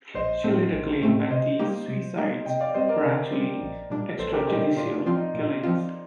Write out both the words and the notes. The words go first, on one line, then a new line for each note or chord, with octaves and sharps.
She later claimed that the "suicides" were actually extrajudicial killings.
A#1 C5 D#5
A2 A3 C4
A#1
A2 A3 C4
C3 C5 D#5
G3 A#3 D#4 G4
C3
G3 A#3 D#4 G4
C3 D#5 G5
D5 F5
G3 C4 C5 D#5
A#4 D5
C3
G3 C4
A#1
A#2 G3 D4
A#1 A4 C5
G4 A#4
A#2 G3 D4 D#4 G4
D#4
A#2 D4 F4
D4
F3 C4 F4
D#4
A#2
F3 C4 F4